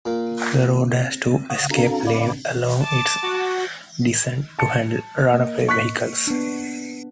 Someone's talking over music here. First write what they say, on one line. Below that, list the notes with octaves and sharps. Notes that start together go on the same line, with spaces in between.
The road has two escape lanes along its descent, to handle runaway vehicles.
A#2 A#3
F5 F#5 C#6 D#6 F#6
D4 F#4 A4 F5 A#5
D5 F5 B5 D6
A5 D6
F#4
A5 C#7
A#3 D#5
C#6 F#6 B6
B3 D4